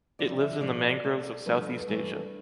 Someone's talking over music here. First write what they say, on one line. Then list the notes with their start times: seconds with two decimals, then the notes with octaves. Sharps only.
It lives in the mangroves of Southeast Asia.
0.19 F2 D3 F3 D5
0.41 E5
0.61 A2 F3 A3 D5
1.04 B2 A3
1.46 G2 F3 A3 B4
1.87 G2 E3 A3